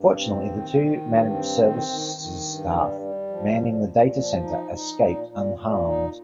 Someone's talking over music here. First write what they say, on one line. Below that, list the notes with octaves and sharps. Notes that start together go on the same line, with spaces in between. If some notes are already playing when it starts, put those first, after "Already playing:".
Fortunately the two managed services staff manning the Data Centre escaped unharmed.
Already playing: G2
C4
D#3
D#3
G2
C4
D#3
D#3
D#3
G2
G3
G3
F3
A#2
A#2
F3
D#4
D#4
A#2
A#2
A#2
D#4